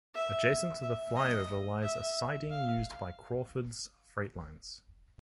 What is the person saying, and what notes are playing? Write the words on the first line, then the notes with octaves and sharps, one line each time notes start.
Adjacent to the flyover lies a siding used by Crawfords Freightlines.
E5
E5
D#5
E5
F5